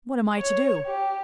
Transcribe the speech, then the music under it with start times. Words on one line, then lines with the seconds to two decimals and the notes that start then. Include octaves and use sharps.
"What am I to do?"
0.37 C#5
0.86 G4